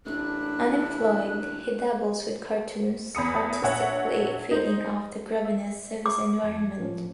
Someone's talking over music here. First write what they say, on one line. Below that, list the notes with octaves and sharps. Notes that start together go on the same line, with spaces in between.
Unemployed, he dabbles with cartoons, artistically feeding off the grubbiness of his environment.
A1 C3 A#3 D4 E4 F#6
E2 B5 D#6 C#7
A#1 C#5 E5 F#5
D#4 C5
E5
D6
F2 G#6
A2 F3 C#4